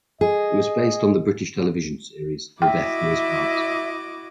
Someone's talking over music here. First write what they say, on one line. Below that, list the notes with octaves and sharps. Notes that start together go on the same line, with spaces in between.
It was based on the British television series Till Death Us Do Part.
G#4 D#5
E4 F#4 D#5 E5 G5 D6